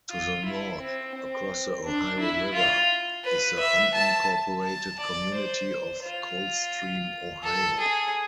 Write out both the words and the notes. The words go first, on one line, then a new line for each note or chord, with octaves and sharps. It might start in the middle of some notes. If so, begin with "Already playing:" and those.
To the north, across the Ohio River, is the unincorporated community of Coldstream, Ohio.
F4
E4
C4
C4
D4
E4
F4
B4
E5
A5
A5
D5
C5
F4
A4
G#4